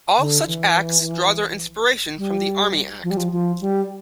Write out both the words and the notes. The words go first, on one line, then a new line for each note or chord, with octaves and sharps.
All such Acts draw their inspiration from the Army Act.
D3
E3
G3
F3
G3
F3
F3
G3